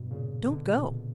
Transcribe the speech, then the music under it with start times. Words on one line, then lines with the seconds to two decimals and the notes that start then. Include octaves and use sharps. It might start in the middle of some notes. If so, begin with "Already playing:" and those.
Don't go.
Already playing: G2 B2
0.10 A#2 C#3
0.47 B2 D3
0.65 A#2 C#3
0.83 B2 D3